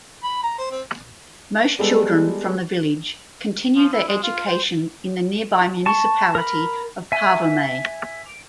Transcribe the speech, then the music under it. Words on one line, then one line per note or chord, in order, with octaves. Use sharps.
Most children from the village continue their education in the nearby Municipality of Parvomay.
B5
A#5
C5
C4
G3 G#3 B3 A4
F3
E4
G#3
F4
C5
A5 C#6
A#4 B5
E5 G#5